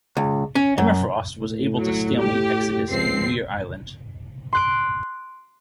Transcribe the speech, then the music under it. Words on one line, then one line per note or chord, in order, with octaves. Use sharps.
Emma Frost was able to stalemate Exodus in Muir Island.
C#2
C#4
F#2
A2
F#3
G4
C#2 F3 C4 C7
C6 F#6 D7